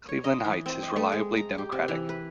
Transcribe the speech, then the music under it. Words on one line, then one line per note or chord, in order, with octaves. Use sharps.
Cleveland Heights is reliably Democratic.
C#5
D#5
E3
C4
D#5
A3
G#3
A#5
G4
C3
E3
B4